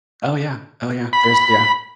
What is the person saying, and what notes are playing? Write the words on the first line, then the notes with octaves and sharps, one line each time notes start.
Oh, yeah. Oh, yeah. There's Yeah.
B5